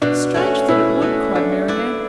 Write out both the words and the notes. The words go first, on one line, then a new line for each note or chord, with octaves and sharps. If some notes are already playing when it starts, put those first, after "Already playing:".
"Strange that it would!" cried Marianne.
B2 D4
A3 C#4 F#4 C#5
B2 E4
A3 C#4 F#4 C#5
A3 D4
E4 B4 D5